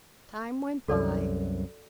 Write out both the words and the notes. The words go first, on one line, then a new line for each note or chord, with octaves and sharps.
Time went by.
C2 F#2 F#4 A4 D5